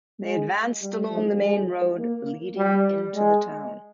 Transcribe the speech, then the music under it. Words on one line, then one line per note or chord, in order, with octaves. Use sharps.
They advanced along the main road leading into the town.
G#3
G3
F3
G#3
A#3
G3
G#3